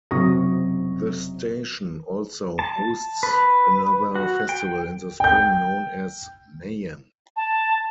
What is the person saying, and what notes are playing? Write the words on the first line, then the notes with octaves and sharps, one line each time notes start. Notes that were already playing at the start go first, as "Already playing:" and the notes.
The station also hosts another festival in the spring known as Mayhem.
F#1 C3 F#3 C#6 D#6 A#6
A5
B4
F#4
G5
G5 G6
A5